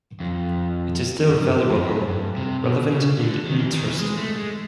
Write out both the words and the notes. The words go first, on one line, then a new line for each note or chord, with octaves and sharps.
It is still valuable, relevant and interesting.
F2
F#2
G2
F2
F#2
G2
C3
B2
C#3
D3
D#3
E3
D#3
E3
G#3
A3
G#3